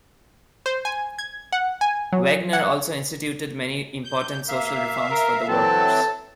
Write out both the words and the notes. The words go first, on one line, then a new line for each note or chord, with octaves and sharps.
Wegner also instituted many important social reforms for the workers.
C5
G#5
G#6
F#5
G#5
F#3
F#5
G6
A#3 E5 F5
A#4
E3 F#3 C4 A4